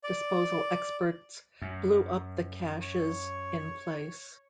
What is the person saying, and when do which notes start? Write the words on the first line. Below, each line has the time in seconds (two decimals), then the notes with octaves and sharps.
Disposal experts blew up the caches in place.
0.04 D5
1.62 F#2
2.81 C#5